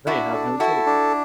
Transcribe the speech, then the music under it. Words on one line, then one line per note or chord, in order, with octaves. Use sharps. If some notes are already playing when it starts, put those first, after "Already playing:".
They have no children.
D4 E4 F#4
A4
E4 F#4 A4
D4